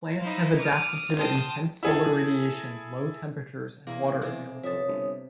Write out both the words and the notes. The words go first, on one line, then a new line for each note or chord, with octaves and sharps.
Plants have adapted to the intense solar radiation, low temperatures and water availability.
D#4 E4 C5 F5
D6 D#6 F6
G5 A5 C6 D#6 F6
E4 G#4 A4
E2 A#3 E4
C3 G#4
F2 C#5 E5 A5 D#6
G1